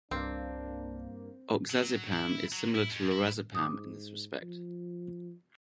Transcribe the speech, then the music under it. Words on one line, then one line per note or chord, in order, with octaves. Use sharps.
Oxazepam is similar to lorazepam in this respect.
C2 G2 A#3 C4 D4
F#3
E4
F#3
E4
F2
E4
G#2 D6 D#6
F3